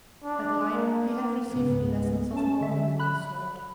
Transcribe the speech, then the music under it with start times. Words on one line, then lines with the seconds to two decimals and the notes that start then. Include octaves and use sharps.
At Lyme, he had received lessons of more than one sort.
0.24 D4
0.71 A#3
1.48 C#2 G#2 B3
2.33 C#4 A5
2.61 D3 E5
2.99 B5 F#6